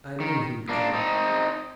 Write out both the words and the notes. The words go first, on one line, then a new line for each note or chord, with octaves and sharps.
I knew he would come.
D#3
A#3 D4
C4 D#4